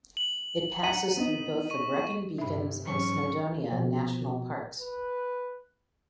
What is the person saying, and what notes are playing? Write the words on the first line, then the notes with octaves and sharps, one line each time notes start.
It passes through both the Brecon Beacons and Snowdonia national parks.
F#7
F#5 A#5 B6 D#7 F#7
B3 C4 D#4
C#6 D#7
G2 C3 E5 B5
G#2 E3 F#3 C#4 C#6
B2 F3
B4